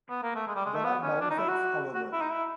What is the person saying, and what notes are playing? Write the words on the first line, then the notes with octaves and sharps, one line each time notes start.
There are downsides, however.
B3
A#3
A3
G#3
G3
G#3
A3
B3
C#4
D4
D#4
E4
F#4
F#4
E4
D#4
E4